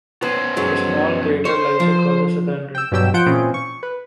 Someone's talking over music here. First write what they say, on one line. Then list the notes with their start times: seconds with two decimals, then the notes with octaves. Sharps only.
A small crater lies across the southern rim.
0.22 B3 C#4 B4 C5
0.57 F#2 F#3 G#3
1.45 C5 C#5
1.80 F3
2.75 G5 E6
2.92 G2 B2 F#3 G4 G5 E6
3.14 F3 F4 F#5 G6 D7
3.26 A#2 E3 C4 C#4 F4 G#4
3.54 C#6
3.83 B4